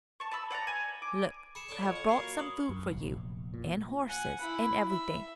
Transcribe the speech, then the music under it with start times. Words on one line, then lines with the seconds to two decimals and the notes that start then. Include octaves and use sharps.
Look, I have brought some food for you, and horses, and everything.
0.20 A5 C#6
0.31 A5 B5 E6
0.51 D5 F#5 A5 A#5
0.67 G#5
1.02 D6
1.55 G#4 B5 C#7 E7
1.69 D4 A4 C#5
1.82 F2 C#5
1.96 F#5
2.09 F#3 A#3 C7
2.38 C#6 D#6 F#7
2.69 F#2
2.91 F1 A#1
3.54 A#2
4.09 F#5 G#5
4.41 E4 B5
4.89 E5